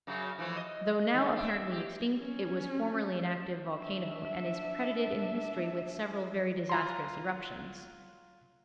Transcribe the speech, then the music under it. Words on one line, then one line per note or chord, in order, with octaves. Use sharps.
Though now apparently extinct, it was formerly an active volcano, and is credited in history with several very disastrous eruptions.
F#2 C#3 F#3
E3 F3 A3
D#5
D#3
D4 E5
G4
C#4
D4 E5
F4 A#5 C6